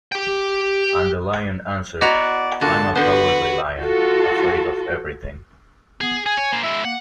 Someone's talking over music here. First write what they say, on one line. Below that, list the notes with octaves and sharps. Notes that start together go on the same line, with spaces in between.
And the Lion answered, "I am a Cowardly Lion, afraid of everything".
G4 G5
B3 E4 F#4 D5 D#5 A#5 F7
A#2 D3 F#4 A5
D3 B3 F#4 B4 C5
F4 F#4 A4
B3 G#4
G#4 G#5
C#5
A#3 C5
G#3 E4 E5
A#3 F#5